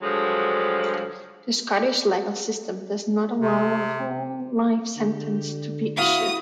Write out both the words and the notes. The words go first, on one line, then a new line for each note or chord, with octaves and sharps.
The Scottish legal system does not allow a whole life sentence to be issued.
G2 D3 F3 F#3 G#3
C3
D3 G4
E4 F#4 E5 F5 D#6